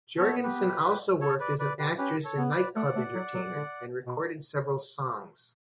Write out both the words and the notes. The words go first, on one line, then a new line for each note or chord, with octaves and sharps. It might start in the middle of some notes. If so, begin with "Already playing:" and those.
Jorgensen also worked as an actress and nightclub entertainer and recorded several songs.
B3 A4 C#5
G4 B4
A4 C#5
B4 D5
B4 D5
G4 B4
C#4 G4 B4
A4 C#5
B3
B4 D5
A3 D5 F#5
A3
F#3
F#3
D3
B2